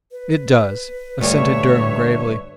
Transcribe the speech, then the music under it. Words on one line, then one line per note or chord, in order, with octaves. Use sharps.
"It does," assented Durham gravely.
B4
D2 G2 C#5 E5